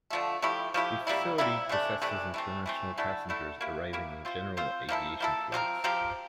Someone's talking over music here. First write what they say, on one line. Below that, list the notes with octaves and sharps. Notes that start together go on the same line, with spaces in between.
The facility processes international passengers arriving on general aviation flights.
D3 F3 A3
F3 A3 E4 G4
F3 A3 E4 G4
C3 G3 A#3 E4
C3 G3 A#3 E4
C3 E3 A3 D4
C3 E3 A3 D4
E3 A3 C4
E3 A3 C4
D3 A3 E4 A4
D3 A3 E4 A4
A#3 E4 G4
A#3 E4 G4
C4 F4 C5
C4 F4 C5
F3 A#3 E4 A4
F3 A#3 E4 A4
F3 C4 G4 A#4
F3 C4 G4 A#4